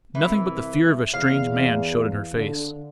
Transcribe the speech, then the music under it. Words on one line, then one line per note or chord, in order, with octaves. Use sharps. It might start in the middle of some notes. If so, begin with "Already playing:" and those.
Nothing but the fear of a strange man showed in her face.
C2 E3
E2 F5
D3